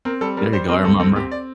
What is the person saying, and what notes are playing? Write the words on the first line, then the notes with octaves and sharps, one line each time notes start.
there you go. I remember.
C4 A#4
G3 A4
G3 A#4
G3 C5
C4 A#4
D2 A4
C4 A4
C4 G4
D5